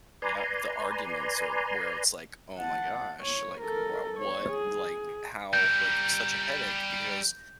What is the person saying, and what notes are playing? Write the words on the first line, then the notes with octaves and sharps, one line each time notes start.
yeah, the arguments are where it's like, "Oh my gosh, like wh what like, how" like, such a headache because
B4 D5 G#5 A#5 C6
F#5 A5
C#5
A4 A#4
C#5
G#4
G3 A#4 G6